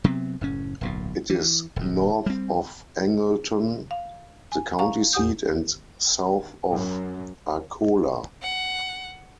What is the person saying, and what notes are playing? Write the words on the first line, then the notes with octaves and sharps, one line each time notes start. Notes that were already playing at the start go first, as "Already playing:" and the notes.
It is north of Angleton, the county seat, and south of Arcola.
C3 F#3 B3 C4
F#1 A2 C#4
D1 B1 A#2
E3
D#1 D#2
G3 C4
F5
G#5
F5 A#5 C#6
E2 G4 F#5 D#6 G6
F#2
F#5